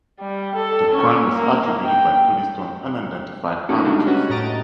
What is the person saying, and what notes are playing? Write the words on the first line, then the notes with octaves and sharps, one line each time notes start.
The crime was attributed by police to an unidentified anarchist.
G3
A4
C#4
A#3
G5
A3 A#3 C#4 D#4 F4 F#4
C#3 G3 G#3 A#3 D4 D#4
C#4 F#4 B4
A2 G4 D#5 A#5 A6 D7